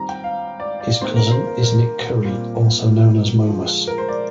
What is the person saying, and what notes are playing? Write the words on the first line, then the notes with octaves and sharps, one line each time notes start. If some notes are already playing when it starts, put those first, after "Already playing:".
His cousin is Nick Currie, also known as "Momus".
Already playing: D#3 G3 C4 A#5
G5
F5
D5
D5
C3 D#3 A#3 C5
A#4
C5
A#4
A#4
A#2 G3 C4
D3 F3 G#3
A#4
C5
D5